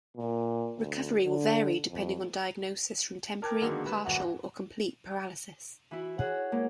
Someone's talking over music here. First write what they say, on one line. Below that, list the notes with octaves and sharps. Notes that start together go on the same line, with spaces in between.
Recovery will vary depending on diagnosis from temporary, partial or complete paralysis.
A#2
D2
D3
F2
A#4 G5 A5 D6 G#6
D3 D#3 F#3 G#3 A#3 B3
G3 B4 E7
D#1 C2 G#2 F#4 F#5
E3 E4 F#4
F#4 G#4 C#5 F#5
G#2 A#3